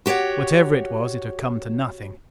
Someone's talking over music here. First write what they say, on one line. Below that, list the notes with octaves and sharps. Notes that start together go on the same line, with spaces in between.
Whatever it was, it had come to nothing.
F#4 G4 C5 C#5 F#5